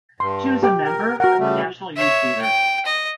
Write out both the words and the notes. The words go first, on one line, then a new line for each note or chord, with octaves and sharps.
She was a member of the National Youth Theatre.
G2 C6
G4 G5 D6
A#4
F#4 A#4 F#5
C#3 G3 A3
C#5 E5
G5
D#5